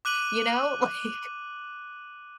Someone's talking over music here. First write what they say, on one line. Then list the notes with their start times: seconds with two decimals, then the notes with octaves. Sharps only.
You know, like
0.05 D6 F#6 D#7 F#7